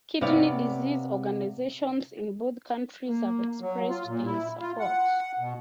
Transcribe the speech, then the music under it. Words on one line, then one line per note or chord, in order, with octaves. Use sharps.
Kidney disease organisations in both countries have expressed their support.
C3 B3 C#5 D5 F5
A#3
F#3
F4
A#2
E4
F4
F#5
B2